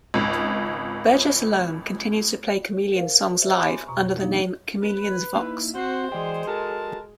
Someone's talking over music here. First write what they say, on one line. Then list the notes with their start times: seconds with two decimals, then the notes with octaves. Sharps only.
Burgess alone continues to play Chameleons songs live under the name ChameleonsVox.
0.14 G#1 C#2
2.94 A#4 C5 F5
3.41 G4 C5 D5 E5
3.57 G#5 B5 C6 D6 D#6
3.87 F2 B2 A#5 C#6
4.20 F3 A#3 D4 D#4 G4
4.82 B4
5.36 A#3 D#4 E4
5.75 C4 F#4 C5
6.12 E3 G#3 D5 G5
6.47 F#4 A4 A#4 A5